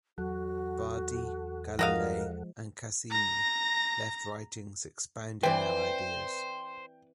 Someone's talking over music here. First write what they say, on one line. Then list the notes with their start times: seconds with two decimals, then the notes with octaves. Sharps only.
Bardi, Galilei, and Caccini left writings expounding their ideas.
0.18 E2 F#3 F#4 A4 F#5
1.79 F3 G#3 F#4 A#4 D#5 F5
3.10 A#5 A#6
5.43 E3 C4 B4 C5 D5 G5